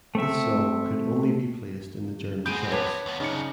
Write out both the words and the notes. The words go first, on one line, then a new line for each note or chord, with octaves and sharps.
This song could only be placed in the German charts.
A3 C4 E5
G#3 B3 C4 G6 D7 D#7
B4 C#5 A5 D6 B6
D#2 B3
F#2 C#3 D4 D#4 C#7